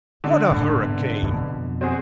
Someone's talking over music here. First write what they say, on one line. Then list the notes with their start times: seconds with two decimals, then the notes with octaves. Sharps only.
What a hurricane!
0.24 D3 D4
0.51 D1 A2 G#3
0.78 G#2 C3 B3
1.22 F2 B2
1.81 C4 F#4 G#4